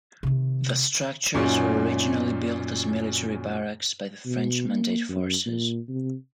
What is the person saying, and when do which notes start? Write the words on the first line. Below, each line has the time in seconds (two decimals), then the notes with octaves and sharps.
The structures were originally built as military barracks by the French Mandate forces.
0.23 C3 D#3
1.34 F#2 A#2 C#4 D#4 F#4
4.25 B2
4.68 A#3
5.09 F#2
5.46 A#2
5.89 C3